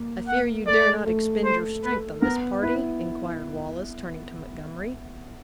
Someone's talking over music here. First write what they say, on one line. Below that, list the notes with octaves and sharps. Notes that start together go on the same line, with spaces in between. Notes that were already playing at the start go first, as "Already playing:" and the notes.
"I fear you dare not expend your strength on this party?" inquired Wallace, turning to Montgomery.
Already playing: A#3
F#5
A3 D5
A3
C5
B4
B3 A#4
E4 B4